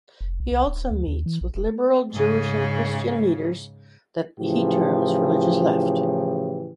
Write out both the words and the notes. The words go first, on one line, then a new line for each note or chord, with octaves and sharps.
He also meets with liberal Jewish and Christian leaders that he terms "religious left".
F1
B1
C2
D1
D2
D#2
E3
A#1
E1
G#2 C#3
A2 C#3 E3 F3 G4